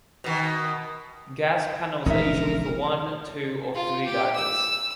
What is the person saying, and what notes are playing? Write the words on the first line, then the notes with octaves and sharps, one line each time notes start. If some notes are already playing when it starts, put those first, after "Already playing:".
Gas panels are usually for one, two or three divers.
B2 D#3
E1 A#1 C#4 D#4 A#4 E5
F4
G4
E6